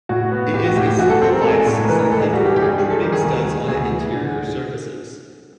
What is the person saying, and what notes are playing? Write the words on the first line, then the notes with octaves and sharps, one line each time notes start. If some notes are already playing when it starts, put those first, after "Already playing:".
It is a simple vice, sometimes with protruding studs on the interior surfaces.
A2 F#4
B3
A2 G4
F#4
A2 G4
G4
E3 F#4
A4
C4 A4
A#4
G#3 A4
G#4
A4
A2
A#4
E3 B4
A#4
G#3 A4
G#4
G3 F#4
G4
G2 G4
G#4
G4
G2 G#4
A4
D#3 G4
G#4
D2
G3
D2 G#4
E3
D3
D3